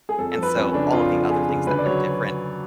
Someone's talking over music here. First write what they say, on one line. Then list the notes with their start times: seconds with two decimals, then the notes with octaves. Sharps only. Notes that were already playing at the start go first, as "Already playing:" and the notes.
and so all of the other things that were different
0.09 G#4
0.18 F2 A4
0.32 A4
0.38 F3 B4
0.55 F2 C#4
0.69 C#4
0.74 C#3 D4
0.92 F2 F4
1.12 F3
1.29 F2 G#4
1.49 C#3
1.66 D2 B4
1.78 D5
1.85 F#3 C#5